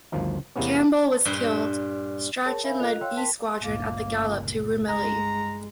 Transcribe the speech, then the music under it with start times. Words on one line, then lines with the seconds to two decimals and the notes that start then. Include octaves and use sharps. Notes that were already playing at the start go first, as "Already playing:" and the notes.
Campbell was killed, Strachen led 'B' Squadron at the gallop to Rumilly.
0.12 G1 D2 D#3 F3 D#4
0.56 E2 C3 E3 A#3 B3 C#4
1.25 G2 A#2 C5
2.46 G#4 A#4 C#5 A5
2.63 A#4 C#5 E5 F5 G#5 B5
2.80 F4 A4 D#5 F#6 F7
3.01 C#5 F5 G5 C6 E6 F#6
3.16 A#4 G5 A5 C6 B6
3.62 G1 C#2 A#2 A#3
4.89 G2 G#3 A#5